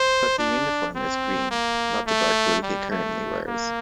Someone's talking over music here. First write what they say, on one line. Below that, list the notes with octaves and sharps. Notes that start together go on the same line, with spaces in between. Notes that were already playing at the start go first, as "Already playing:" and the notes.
But their uniform is green, not the dark blue he currently wears.
Already playing: C5
D4
C4
A#3
A3
G3
A3
A#3